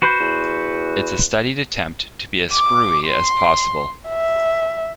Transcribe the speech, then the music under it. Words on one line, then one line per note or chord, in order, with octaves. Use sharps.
It's a studied attempt to be as screwy as possible.
F#4 B4 C5
E2
D6
C6
E5